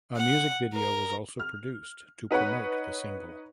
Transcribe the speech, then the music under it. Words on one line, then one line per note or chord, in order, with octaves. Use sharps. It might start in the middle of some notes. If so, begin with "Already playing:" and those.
A music video was also produced to promote the single.
F#5
A#4
F6
D#4 B4 C#5 F#5